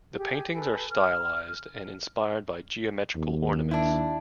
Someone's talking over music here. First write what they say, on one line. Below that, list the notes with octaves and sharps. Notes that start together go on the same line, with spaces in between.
The paintings are stylised and inspired by geometrical ornaments.
G4 G#4
A4 B4 G#5
F6
D#2
D4 E4